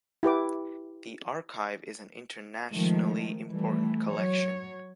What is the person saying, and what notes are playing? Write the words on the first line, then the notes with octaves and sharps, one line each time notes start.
The archive is an internationally important collection.
E4 G4 B4 D6
D#3 F3 G#3 A3
E3 G3 A3
F#3 C#5